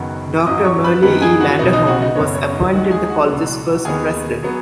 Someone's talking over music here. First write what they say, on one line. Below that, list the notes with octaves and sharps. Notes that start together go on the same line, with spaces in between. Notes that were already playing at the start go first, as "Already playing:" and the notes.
Doctor Merle E. Landerholm was appointed the college's first president.
Already playing: F#1 F#2 D#3 B3 F#4 F#5
G#1 F#2 F#3 D#5 D#6
C#5 C#6
B4 B5
F#2 D#3 B3 B4 B5
G#4 G#5
F#4 F#5
B1 B2 B3 D#4 D#5
D#4 D#5
F#4 F#5
D#4 D#5
F#1 F#2 C#3 B3 C#5
C#5
D#4 D#5
D#2 D#3 G#3 F#4 F#5
G#4 G#5
F#4 F#5
C#2 B2 F#3 B3
D#2 D#3 B3 G#4 G#5
F#3 B3